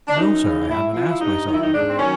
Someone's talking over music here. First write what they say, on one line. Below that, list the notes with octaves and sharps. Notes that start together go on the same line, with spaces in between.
"No, sir, I haven't asked myself before."
D4
F#2 D#4
C#3 E3
D#4
A2 E4
E4
F3 F4
E4
G2 D#4
D#3 F#3 D#4
E4
D#4
G#2 D4
C4
D#3 F#3 C#4